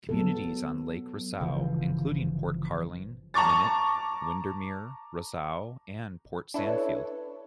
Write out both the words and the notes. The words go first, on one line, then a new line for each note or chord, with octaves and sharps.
Communities on Lake Rosseau include Port Carling, Minett, Windermere, Rosseau and Port Sandfield.
F#3 B3 A4
G1 C#3 E3 F3
A5 A#5 C#6 D6 A6
D4 E4 A4 B4 C#5